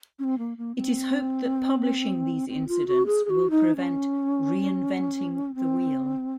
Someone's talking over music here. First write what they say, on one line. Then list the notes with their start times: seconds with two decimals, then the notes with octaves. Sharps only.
It is hoped that publishing these incidents will prevent "Re-inventing the Wheel".
0.19 C#4
0.24 C4
0.38 A#3
0.58 A#3
0.76 C4
2.49 C4
2.68 F4
2.87 F#4
3.06 G#4
3.25 G#4
3.30 F#4
3.50 D#4
3.76 C#4
5.55 C4